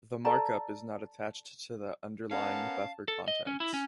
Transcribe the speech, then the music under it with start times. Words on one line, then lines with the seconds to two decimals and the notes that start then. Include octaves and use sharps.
The markup is not attached to the underlying buffer contents.
0.25 A4 D5 A5 A#5
2.31 B3 C#4 A#4 F5 F#5 A5
3.08 A4
3.28 D#5
3.47 C#4
3.60 E4
3.74 C#4